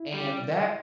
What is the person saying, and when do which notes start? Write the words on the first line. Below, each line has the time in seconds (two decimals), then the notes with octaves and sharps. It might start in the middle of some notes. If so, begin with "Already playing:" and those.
and that
Already playing: E4
0.14 G3